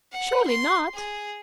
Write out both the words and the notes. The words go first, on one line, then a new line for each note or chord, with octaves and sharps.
"Surely not?"
F#5
C6
G#4